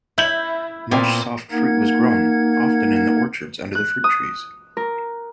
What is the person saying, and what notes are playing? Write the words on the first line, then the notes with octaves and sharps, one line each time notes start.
Much soft fruit was grown, often in the orchards under the fruit trees.
E4 E5 G6 F#7
A#2 B3 C4
A#3 D#4 A#4 F#5 G#6
F#6
D#6
A#4